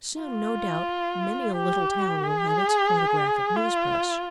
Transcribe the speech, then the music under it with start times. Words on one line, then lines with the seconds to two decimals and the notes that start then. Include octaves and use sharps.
Soon, no doubt, many a little town will have its photographic news-press.
0.23 F4
1.57 G4
2.23 G#4
3.56 F4